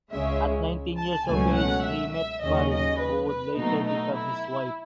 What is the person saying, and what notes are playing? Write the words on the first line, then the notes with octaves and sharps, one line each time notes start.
At nineteen years of age he met Val, who would later become his wife.
C#2 C#3 G#3 C#4 E5
A5
C#2 B2 F#3 A3 C#4 G#5
F#5
E5
E5
D#2 C#3 F#3 C#4 D#5
D#5
B4
B4
B2 F#3 A3 D#4
D#4
E4